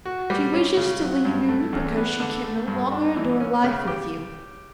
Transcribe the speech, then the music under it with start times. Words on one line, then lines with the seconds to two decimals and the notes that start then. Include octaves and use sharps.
She wishes to leave you because she can no longer endure life with you.
0.05 F#4
0.30 G3
0.54 C#4
0.77 C#3
1.01 F#3
1.25 G2
1.49 A3
1.73 E2
1.97 B3
2.20 D3
2.44 A3
2.68 G2
2.91 D4
3.16 E3
3.40 C#4
3.64 C#3
3.87 G4